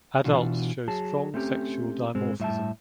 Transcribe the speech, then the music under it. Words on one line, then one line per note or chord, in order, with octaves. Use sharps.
Adults show strong sexual dimorphism.
B2 E3 D4 F4 F#4
F#3 G#4 A5
A3 C4 C#4 G4
G#2 G#3 C4
A2 G3 E5 F5 G5 A5